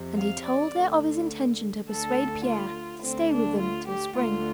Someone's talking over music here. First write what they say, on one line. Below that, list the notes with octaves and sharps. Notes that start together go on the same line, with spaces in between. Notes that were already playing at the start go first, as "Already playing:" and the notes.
And he told her of his intention to persuade Pierre to stay with them till spring.
Already playing: F2 C3
F5
D5
D2 D3
D2 D3 A4
F4
D2 D3 C4
D4
F4
G4
D2 D3 F4